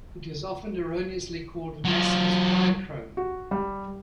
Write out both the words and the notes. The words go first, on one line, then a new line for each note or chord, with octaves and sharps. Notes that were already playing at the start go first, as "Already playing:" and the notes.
It is often erroneously called Masson's trichrome.
F#3 F4
F#4
G3